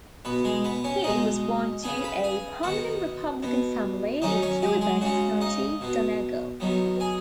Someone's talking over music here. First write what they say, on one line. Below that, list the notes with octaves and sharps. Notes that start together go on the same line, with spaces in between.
He was born to a prominent republican family in Killybegs, County Donegal.
B2 B3 B4
G#3 G#4
B3 B4
C#4 C#5
B2 G#3 B3 D#4 D#5
C#3 B3 G#4 G#5
B4 B5
G#4 G#5
D#3 B3 F#4 F#5
B2 B3
D#3 F#3 C#4 D#4 D#5
C#4 C#5
G#3 G#4
G#3 G#4
C#3 G#3 C#4 F#4
D#4 D#5
B2 B3
D#3 F#3 B3
G#4 G#5